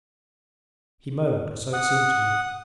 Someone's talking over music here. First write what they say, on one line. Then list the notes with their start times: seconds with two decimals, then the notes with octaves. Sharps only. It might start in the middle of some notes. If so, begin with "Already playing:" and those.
He moaned, or so it seemed to me.
1.73 F#5 D#6